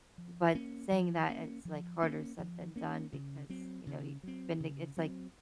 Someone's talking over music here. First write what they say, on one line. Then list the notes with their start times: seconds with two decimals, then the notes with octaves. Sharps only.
but saying that, it's, like, harder said than done because, you know, you've been to it's like
0.18 F3
0.55 A#3 C#4
0.92 F3
1.29 A#3 C#4
1.65 F3
2.02 A#3 C#4
2.39 F3
2.76 A#3 C#4
3.13 C#3
3.50 F#3 C4
3.87 C#3
4.23 F#3 C4
4.60 C#3
4.97 F#3 C4